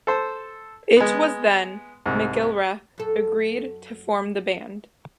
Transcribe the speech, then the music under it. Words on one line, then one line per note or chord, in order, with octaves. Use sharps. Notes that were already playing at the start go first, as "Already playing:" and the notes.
It was then McIlrath agreed to form the band.
A4 C5
G#3 B3
C2 G#2
F#2 A4